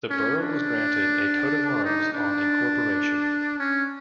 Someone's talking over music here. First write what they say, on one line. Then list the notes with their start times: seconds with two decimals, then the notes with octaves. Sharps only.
The borough was granted a coat of arms on incorporation.
0.10 C#4
0.38 D4
1.84 D#4
2.13 D4
3.59 C#4